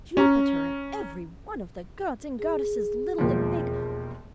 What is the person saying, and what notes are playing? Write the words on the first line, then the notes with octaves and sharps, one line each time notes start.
Jupiter, and every one of the gods and goddesses, little and big!
C#4 A#5
G#4
E1 D#2 F3